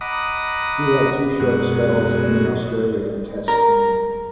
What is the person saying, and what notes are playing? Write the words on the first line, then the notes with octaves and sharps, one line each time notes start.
He had two short spells in the Australian Test team.
D#5 F#5 A#5 B5 D6 D#6
F#2 B2 G#3 F#4
A#4